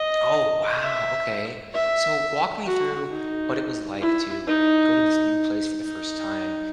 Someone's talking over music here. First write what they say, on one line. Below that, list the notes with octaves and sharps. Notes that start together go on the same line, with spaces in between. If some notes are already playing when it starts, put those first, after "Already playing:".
Oh, wow, okay. So walk me through what it was like to go to this new place for the first time.
Already playing: D#5
E5
E5
F#4
D#4
E4
D#4
D#4